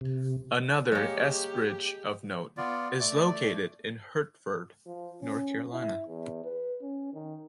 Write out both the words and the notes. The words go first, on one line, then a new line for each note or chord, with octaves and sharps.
Another S bridge of note is located in Hertford, North Carolina.
C3
G#3 A#3 G4 C#5
B3 F4 D5
A3 D5
F3
C#4
E4
E2
B4
C#4
D#3